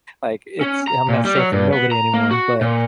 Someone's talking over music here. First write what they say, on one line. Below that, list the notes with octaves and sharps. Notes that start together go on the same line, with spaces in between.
like, it's I'm not safe from nobody anymore. But,
C#4
A#5
A#2
G3
F#3
G2
B3
A#5
A#3
F#4
A#2